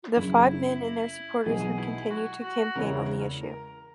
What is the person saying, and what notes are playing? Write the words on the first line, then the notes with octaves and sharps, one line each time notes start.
The five men and their supporters have continued to campaign on the issue.
F#1 F#2 C#3 E4
E4
B1 B2 G#3 D#4 G#4
E4
F#4
F#4
E2 C#3 G#3 C#4 E4 A#4
A#4